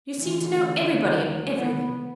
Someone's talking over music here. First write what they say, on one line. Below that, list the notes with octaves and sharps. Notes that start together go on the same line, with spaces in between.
You seem to know everybody, and everything.
D2 C#3 E3
F#3
B3